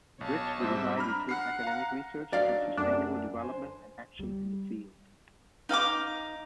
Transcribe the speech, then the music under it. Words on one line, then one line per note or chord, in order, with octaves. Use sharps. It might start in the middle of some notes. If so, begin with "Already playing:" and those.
Bridge the divide between academic research in sustainable development and action in the field.
B1 C#5 A5
G#2 G3 C4 E5
D4 A#5 B5 F6
F#5 F6 C7
F5 A#5
F#3 D4 D#4 D5 F5
F#2 A3 D4
C5 G#5
G3
D#4 F5 F#5 D6